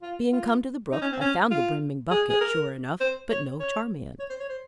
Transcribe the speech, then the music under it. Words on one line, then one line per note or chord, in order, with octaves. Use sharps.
Being come to the brook I found the brimming bucket, sure enough, but no Charmian.
F4
F4
D#4
C#4
C4
C#4
F4
G#4
G#4
A#4
C5
C#5
C#5
C#5
C5
C#5
C5